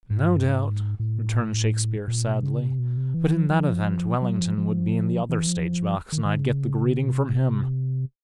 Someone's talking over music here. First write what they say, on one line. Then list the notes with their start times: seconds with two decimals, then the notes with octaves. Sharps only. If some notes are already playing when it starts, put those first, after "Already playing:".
"No doubt," returned Shakespeare, sadly; "but in that event Wellington would be in the other stage-box, and I'd get the greeting from him."
0.10 G#2
0.29 G2
0.46 G#2
1.00 A2
2.08 A#2
2.25 B2
2.43 C#3
2.61 C3
2.79 B2
2.97 C3
3.14 E3
3.33 F3
3.50 F3
4.22 F#3
4.40 F3
4.58 F3
5.29 E3
5.47 F3
6.12 D#3
6.25 D#3
6.36 C#3
7.03 B2
7.09 C3